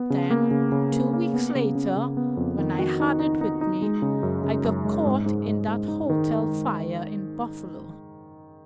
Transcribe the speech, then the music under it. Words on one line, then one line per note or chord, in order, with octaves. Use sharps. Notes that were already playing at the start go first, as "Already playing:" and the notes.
Then, two weeks later, when I had it with me, I got caught in that hotel fire in Buffalo.
Already playing: B3
C#3
A#3
C#3
C#3
A#3
A#3
B3
C#3
C#3
C#3
B3
F2
D#3
F#4
D#4
D#4
D#4
D#4
G#3
C#3
F#2
C#3
F#2
G#3
G#2
G#2
G#2
G#2
D#4
D#3